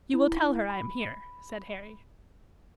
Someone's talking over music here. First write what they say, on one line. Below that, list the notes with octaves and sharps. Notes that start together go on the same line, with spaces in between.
'You will tell her I am here?' said Harry.
E4
B5